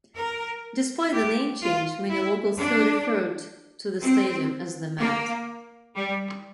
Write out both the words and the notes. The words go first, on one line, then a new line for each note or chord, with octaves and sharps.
Despite the name change, many locals still referred to the stadium as "The Met".
A#4
G4
F4
E4
D4
C4
A#3
G3